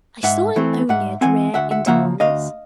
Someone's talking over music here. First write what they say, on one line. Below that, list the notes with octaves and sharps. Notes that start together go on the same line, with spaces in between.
I saw him only at rare intervals.
G#2 E5 F#5
E3 A3 C4
G#2 E5 F#5
E3 A3 C4 F#5 G#5
D2 E5 F#5
E5 F#5
C#3 F3 A#3 E5 F#5
D2 D#5 F5